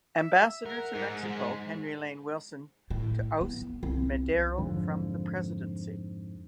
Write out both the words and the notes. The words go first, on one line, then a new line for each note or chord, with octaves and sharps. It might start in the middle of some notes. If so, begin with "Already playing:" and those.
Ambassador to Mexico Henry Lane Wilson to oust Madero from the presidency.
E5
A#4 F#5
G#2
G#3
A2
B3
C2
F2 G#2 D3 F3